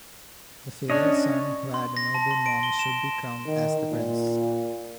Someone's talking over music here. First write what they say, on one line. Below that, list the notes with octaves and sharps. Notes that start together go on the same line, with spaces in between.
The filial son who had a noble mom should be crowned as the prince.
C#4 D4 C#5 D#5
C6
A#6
A5
C6
D7
G7
E7
D#3
A#2